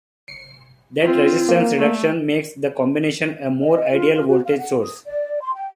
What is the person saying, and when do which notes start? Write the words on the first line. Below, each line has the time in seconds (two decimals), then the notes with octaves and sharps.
That resistance reduction makes the combination a more ideal voltage source.
1.01 C4 F4
1.49 A#3
1.77 A3
3.61 D#5
3.92 F4
4.13 F4
4.27 F#4
4.44 F5
4.59 F#5
4.80 D#6
5.05 D5
5.41 C6
5.54 G5